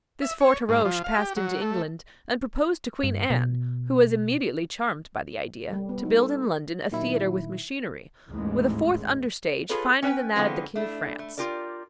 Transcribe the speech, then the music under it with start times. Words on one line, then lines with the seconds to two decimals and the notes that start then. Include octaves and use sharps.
This Forteroche passed into England, and proposed to Queen Anne, who was immediately charmed by the idea, to build in London a theatre with machinery, with a fourth under-stage finer than that of the King of France.
0.22 E5
0.41 C#5
0.69 G#2
0.85 F3
1.04 F5
1.17 G4
1.37 F#3
1.61 A3
3.04 G2
3.30 B2
5.73 G3
5.89 B3
6.05 D#4
6.17 A4
6.92 A#2 D#3 F#3 E4
8.30 A1 D#2 G#2 E3 G#3 A3
9.69 F4 G#4 A4 B4 C#5
10.02 C#4 B4 G5 G#5
10.36 D3 E3 F3 G#3 B3 C4
10.76 A3 D4 E4
11.19 A3
11.38 F4 G4 A#4 D5